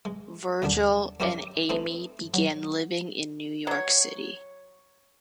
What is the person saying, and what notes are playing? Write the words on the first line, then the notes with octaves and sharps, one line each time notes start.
Virgil and Amy begin living in New York City.
G#3
D#2 D3 D#3 G3 D4
F#2 C#4 E4 G4 A#4 D5
A3 C4 D#4 B4
F#3
F#3 C#5